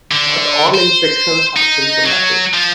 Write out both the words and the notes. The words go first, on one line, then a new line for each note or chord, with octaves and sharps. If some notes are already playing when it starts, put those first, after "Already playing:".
Not all infections are symptomatic.
D3
C5
D#4
F#3
F3